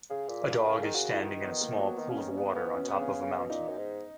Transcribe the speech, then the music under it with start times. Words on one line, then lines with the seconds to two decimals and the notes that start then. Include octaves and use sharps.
A dog is standing in a small pool of water on top of a mountain.
0.10 C#3 G#4
0.28 A#2
0.48 A#2
0.66 C#3 A#4
0.81 D#3 G#4
0.94 C#3 F#4
1.09 E4
1.23 D#3 D#4
1.42 B3
1.51 D#3
1.61 A#3
1.79 F#3 B3
1.99 D#3
2.08 C#3 C#4
2.18 D#3
2.29 B2
2.37 C#3 B3
2.55 B3
2.65 E3
2.74 C#4
2.83 B2
2.88 C#3 B3
3.01 C#4
3.21 C#3
3.38 B2
3.50 A#2 D#4
3.69 F#2
3.78 G#2